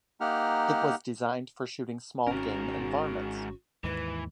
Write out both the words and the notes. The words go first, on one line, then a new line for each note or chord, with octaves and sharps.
It was designed for shooting small game and varmints.
A#3 D#4 G4 F#5 F6
G#1 G#2 C#4 F#4 A#4
D#2 G#2 E3 B4